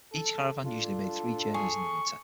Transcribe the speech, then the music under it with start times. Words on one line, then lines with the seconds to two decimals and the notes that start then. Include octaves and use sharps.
Each caravan usually made three journeys in the winter.
0.13 A4
0.64 D4 F4 A4
1.54 G#4 C#6